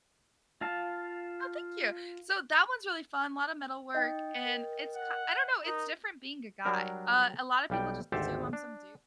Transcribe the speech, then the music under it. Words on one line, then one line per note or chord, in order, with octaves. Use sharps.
Oh, thank you, so that one's really fun lotta metalwork, and it's ki I don't know, it's different being a guy, uh a lotta people just assume I'm some dude
F4 F5 A5
D#4 D#5 G5
A#4
F#5
D#4 A#4
F#3 G3 D4 A#4
B1 G3 G5
G#1 D2 G4 A4 C5 A5
D4